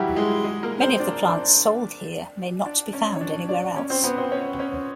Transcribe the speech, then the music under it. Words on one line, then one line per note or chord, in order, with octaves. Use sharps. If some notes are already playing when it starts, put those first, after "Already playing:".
Many of the plants sold here may not be found anywhere else.
Already playing: E3 F#3 G3 E4 F#4 G4
G#3 G#4
G#3 G#4
A#3 A#4
C4 C5
D4 D5
D4 D5
D4 D5
C#4 C#5
C#5
D4 D5
D4 D5
C#4 C#5
C4 C5
B3 B4
C4 C5
C#4 C#5
C#4 C#5